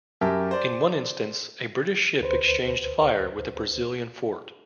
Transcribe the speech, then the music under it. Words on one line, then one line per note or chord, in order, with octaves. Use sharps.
In one instance, a British ship exchanged fire with a Brazilian fort.
F#2 G4 A#4 E5 A5
C5 D5
D2 B4 C5